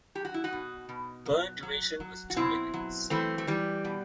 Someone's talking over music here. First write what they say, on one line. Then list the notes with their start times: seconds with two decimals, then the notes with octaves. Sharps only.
Burn duration was two minutes.
0.15 F#3 G4
0.25 F#4
0.34 E4
0.44 D#4 F#4
0.53 B2
0.89 B2
1.25 F#3
1.63 F#3
2.00 F#3
2.30 F#4
2.36 B2 C4 E4
2.74 F#3
3.10 E3 A3 C4
3.38 A3
3.47 E3 G3
3.84 B2